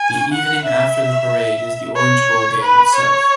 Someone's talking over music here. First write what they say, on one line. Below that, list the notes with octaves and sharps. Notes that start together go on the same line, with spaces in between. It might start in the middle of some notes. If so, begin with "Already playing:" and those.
The evening after the Parade is the Orange Bowl game itself.
Already playing: G#5
F#5
E5
C#5
B4
C#5